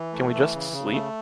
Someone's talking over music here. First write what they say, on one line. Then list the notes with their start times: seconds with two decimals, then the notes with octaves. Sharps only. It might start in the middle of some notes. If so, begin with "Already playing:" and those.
Can we just sleep?
Already playing: E3
0.13 A3
0.33 E3
0.53 C#3
0.72 C#3
0.92 A3